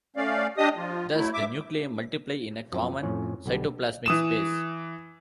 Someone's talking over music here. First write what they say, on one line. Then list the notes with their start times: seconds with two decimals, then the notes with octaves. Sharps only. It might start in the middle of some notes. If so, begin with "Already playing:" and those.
Thus, the nuclei multiply in a common cytoplasmic space.
0.16 A3 C#4 D5 F5
0.57 D4 G4 D#5 D#6
0.77 F3 F4
1.14 F#3 A3 E4
1.34 G2 E5 D6
2.72 F#2 F3 C4
3.03 F2 A2 C#4
3.46 B1 D3 G3
4.06 E3 D#6 E7